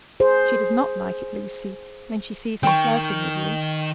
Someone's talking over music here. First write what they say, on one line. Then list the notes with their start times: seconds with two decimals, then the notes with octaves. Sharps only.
"She does not like it, Lucy, when she sees him flirting with you."
0.20 G#4 C5
2.63 D#3 G5 C#6